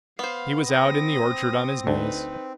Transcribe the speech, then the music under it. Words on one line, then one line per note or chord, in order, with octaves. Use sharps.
He was out in the orchard on his knees.
B3 C5 F5
C4 D#6 A#6
D2 D#4 B4